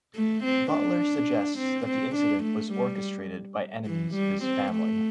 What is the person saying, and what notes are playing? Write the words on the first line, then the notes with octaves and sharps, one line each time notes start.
Butler suggests that the incident was orchestrated by enemies of his family.
A3
C4
D4
C4
C4
D4
A3
G3
E3
G3
C4
A3